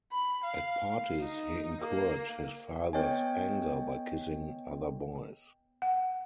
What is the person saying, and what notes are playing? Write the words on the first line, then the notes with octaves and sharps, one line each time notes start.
At parties he incurred his fathers anger by kissing other boys.
B5
F5
D#4
A#3
B3 C#5 D#5 G5 G#5
F#5